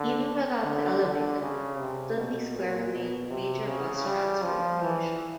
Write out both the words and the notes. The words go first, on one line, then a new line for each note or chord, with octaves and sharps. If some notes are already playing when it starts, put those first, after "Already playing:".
Even without the Elevated, Dudley Square remained a major bus transfer location.
Already playing: D3
D3
D3
C#3
C3
B2
A#2
B2
C3
C#3
G3
F3
E3